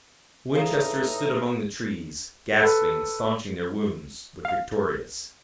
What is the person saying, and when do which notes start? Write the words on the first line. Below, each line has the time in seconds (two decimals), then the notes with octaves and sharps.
The Winchesters stood among the trees, gasping and staunching their wounds, but victorious.
0.56 A2 E3 D#4 G#4 C#5 F5
2.59 A4 B4
4.45 F5